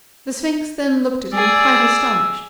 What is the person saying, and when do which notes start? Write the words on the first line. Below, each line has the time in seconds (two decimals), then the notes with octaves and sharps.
The Sphinx then looked at him quite astonished.
1.33 G#4 D5 E6